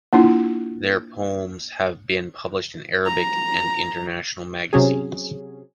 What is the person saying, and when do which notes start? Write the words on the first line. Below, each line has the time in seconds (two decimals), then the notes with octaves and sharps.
Their poems have been published in Arabic and international magazines.
0.13 A#3 D4 E4 F4
3.07 A#5
4.73 C3 F#3 C#4 G#4